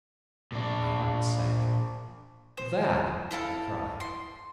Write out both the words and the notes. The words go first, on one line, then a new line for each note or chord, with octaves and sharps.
My heart sank. "That!" I cried.
A#2 D4
C5
E4 A4 F5 A5
C6